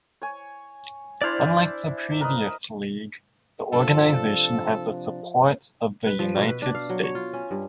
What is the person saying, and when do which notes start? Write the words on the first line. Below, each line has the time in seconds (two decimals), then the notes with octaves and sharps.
Unlike the previous League, the organization had the support of the United States.
0.22 C#5 G#5
1.22 D4 E4 C5 D5 F6
2.21 A#4 B4 D#5
3.72 C3 F3 D4 A4
6.07 B4
6.19 F3
6.35 B2
6.48 B4
6.62 D4
6.75 F5
6.90 F#3
7.03 C#5
7.15 F4
7.33 C#4
7.51 G2